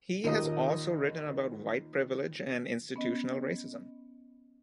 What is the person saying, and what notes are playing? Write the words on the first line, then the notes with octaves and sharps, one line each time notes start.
He also has written about white privilege and institutional racism.
D#2 A#2 D#5 D#6
B3 C#4 D#5